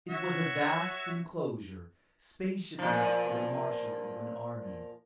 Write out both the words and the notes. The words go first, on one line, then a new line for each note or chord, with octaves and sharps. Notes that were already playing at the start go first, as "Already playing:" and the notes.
It was a vast enclosure, spacious enough for the marshalling of an army.
F#4 C#5 E5
A#2 F3